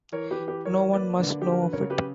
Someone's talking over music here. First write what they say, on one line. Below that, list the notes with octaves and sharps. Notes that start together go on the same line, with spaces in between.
No one must know of it.
E3 A#4 C#5
G4 B4
E3
G4 B4
F#3 A#4 C#5
A#3 B4 D5
D3 B4 D5
F#3 G4
A#4
B4
C#3 A#4 C#5
G4 B4
C#3